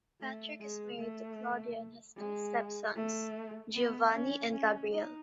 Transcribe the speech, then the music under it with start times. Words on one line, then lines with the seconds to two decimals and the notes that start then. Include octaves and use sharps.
Patrick is married to Claudia and has two step sons, Giovanni and Gabriele.
0.21 A3
0.60 G#3
0.99 A3
2.17 G#3
2.96 A3
3.74 B3
4.14 C#4
4.52 C#4
4.92 D#4